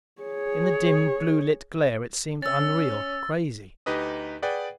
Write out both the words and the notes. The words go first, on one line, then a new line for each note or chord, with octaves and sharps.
In the dim, blue lit glare it seemed unreal, crazy.
G#4 C#5
C#4 E6 A6
D2 D#4 G4 B4 D#5 D#6
G#4 B4 D5 F#5 G5